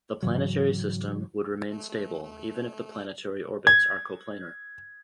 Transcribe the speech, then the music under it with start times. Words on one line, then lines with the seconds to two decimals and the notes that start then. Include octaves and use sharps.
The planetary system would remain stable even if the planetary orbits are coplanar.
0.23 G#2 C#3 E3 F#3
3.67 G#6